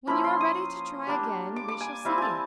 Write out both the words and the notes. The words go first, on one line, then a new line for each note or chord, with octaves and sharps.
"When you are ready to try again, we shall see."
F3 A#3 C#4 E4 B5
C6
D#6
G3 A#3 D4
D6
D6
G#5
G3 C4 E4 F5
G#5 A5